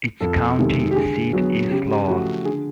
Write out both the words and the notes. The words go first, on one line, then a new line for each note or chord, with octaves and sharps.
Its county seat is Loa.
F2 A4
C3 D#3 G#3
G4
D3 G#4
F#3 B3
C#3 G4
G4
F3 A3 F#4
D3 G#4